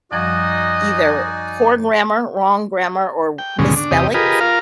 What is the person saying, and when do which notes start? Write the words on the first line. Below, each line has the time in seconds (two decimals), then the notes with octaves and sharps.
either poor grammar, wrong grammar, or misspellings.
0.12 F#2 F3 G3 D#4 F#4 D5 D#5 G#5
3.38 G5
3.59 D#2 G#2 B2 D3 G#3 C#4
3.76 D4
3.91 E2 C3 G4 D#5
4.14 F4 G4 G#4 A#4 B4 D#5
4.41 F4 A#4 F5